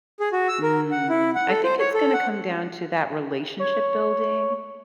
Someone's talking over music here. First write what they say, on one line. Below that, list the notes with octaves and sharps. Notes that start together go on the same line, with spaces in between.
Mm, I think it's gonna come down to that relationship-building.
G#4
F#4
E6
A#4
F#5
E4
F#5
A4
C5
C#5
A4
F#5
C#5